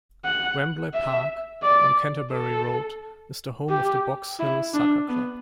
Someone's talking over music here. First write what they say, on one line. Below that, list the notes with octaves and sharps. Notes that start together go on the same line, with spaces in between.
Wembley Park, on Canterbury Road, is the home of the Box Hill Soccer Club.
F#5
E5
D5
A4
G4
E4
D4
B3